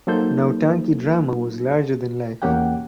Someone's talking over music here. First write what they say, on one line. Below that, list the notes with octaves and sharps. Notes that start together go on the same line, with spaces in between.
Nautanki drama was larger than life.
F#3 A#3 D#4 A4 C5 G6
E2 A#3 C#4 G4 F#5 G5